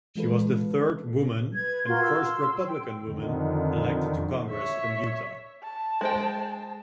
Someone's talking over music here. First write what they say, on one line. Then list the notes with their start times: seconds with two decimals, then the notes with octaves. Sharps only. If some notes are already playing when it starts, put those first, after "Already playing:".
She was the third woman and first Republican woman elected to congress from Utah.
0.16 E3 G#3 F4 A4 B4
1.54 B4 G#6
1.87 F4 F#4 A#4 C6
2.01 C6 E6
2.67 G5
3.03 F2 D3 D#3
4.51 C#5 E5
5.63 A5
6.01 G#3 C5 G5